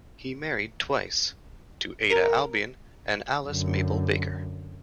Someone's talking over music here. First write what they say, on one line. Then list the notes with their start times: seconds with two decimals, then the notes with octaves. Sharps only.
He married twice, to Ada Albion and Alice Mabel Baker.
2.10 A#4
3.44 F#2 D3